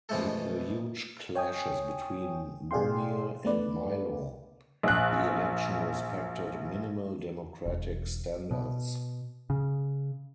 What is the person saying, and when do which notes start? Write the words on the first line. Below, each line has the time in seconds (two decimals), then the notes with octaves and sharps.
With the huge clashes between Momir and Milo, the election respected minimal democratic standards.
0.09 B2 E3 F3 G#3 A3 A4
1.35 C#5 G5 G#5 D#6
2.71 B2 G#4 D5 F5 G5 C6
3.45 A3 B3 D4 B4 D5
4.83 A#1 F#6
7.66 E1
8.51 B2
9.50 C#3